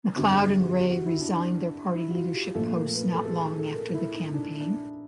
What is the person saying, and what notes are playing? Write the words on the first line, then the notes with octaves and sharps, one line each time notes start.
McLeod and Rae resigned their party leadership posts not long after the campaign.
G1 F2 D3 G3
G#4
G4
F#4
F#4
G4
F#4
E4
D4
D4
E4
F#4
F4
G4
A#1 A#2 F3 A3 A4
A#4
B4
A4
A4
G#4
G#4
A4
A#4
E4
D#4
D4
D4